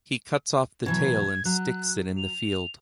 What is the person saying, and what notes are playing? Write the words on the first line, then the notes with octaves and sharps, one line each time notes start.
He cuts off the tail and sticks it in the field.
B2 E3 F#3 G#6
F#3 F#6
F7